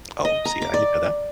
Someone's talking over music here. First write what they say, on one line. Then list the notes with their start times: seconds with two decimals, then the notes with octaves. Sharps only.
Oh, see, I didn't know that.
0.25 D#5
0.45 A#5
0.62 D6
0.74 D5